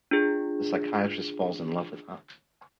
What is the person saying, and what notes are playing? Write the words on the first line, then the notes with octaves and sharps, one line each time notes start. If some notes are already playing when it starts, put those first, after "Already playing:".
The psychiatrist falls in love with her.
D4 F4 G#4